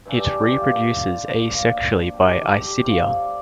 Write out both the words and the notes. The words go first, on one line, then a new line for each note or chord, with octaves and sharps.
It reproduces asexually by isidia.
G2 E3 A3 D4 E5
G4
F4
F4
D3 F3 A#3 D4
G4
A4
G4
C3 F3 A3 F4
D5
D5